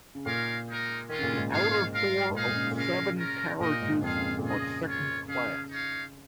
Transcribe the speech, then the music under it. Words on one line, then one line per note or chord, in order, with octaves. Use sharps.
The outer four of the seven carriages are second class.
C#3
A#2 D#4 A#4 C#5 F5
G#3 D#4 A#4
D#3 G#3 C#4 F4
C#3
A#2
G#2
G#2 F4 C#5 F5
F4 A#4 F5
G#2
A#2 D#4 G#4 F5
A#2
C#3
A#2
C#3 G#3 C#4 A#4 F5
C#4 F4 A#4
A#2 D#4 A#4 D#5
G#2
F2 F4 G#4 F5
C#3
C#3
A#2
C#3 F4 G#4 D#5
G#3 F4 C#5
C#3 C#4 G#4 F5
D#4 C#5 F5